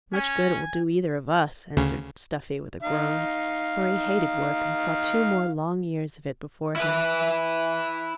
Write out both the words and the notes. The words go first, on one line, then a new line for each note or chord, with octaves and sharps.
Much good it will do either of us!' answered Stuffy, with a groan; for he hated work, and saw two more long years of it before him.
C#4 G#5
D2 C#3
D#4 F5
E4 B4